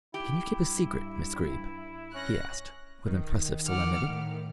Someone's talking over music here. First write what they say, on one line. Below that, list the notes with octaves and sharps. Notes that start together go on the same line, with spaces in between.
"Can you keep a secret, Miss Greeb?" he asked, with impressive solemnity.
E4 G4
G2
C#4 F#6 A#6
D#3
F#5 D6 F6
A2